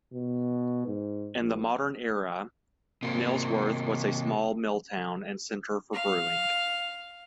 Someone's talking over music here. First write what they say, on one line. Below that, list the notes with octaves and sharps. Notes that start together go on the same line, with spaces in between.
In the modern era Nailsworth was a small mill town and centre for brewing.
B2
G#2
A#1
C3 A#3
F5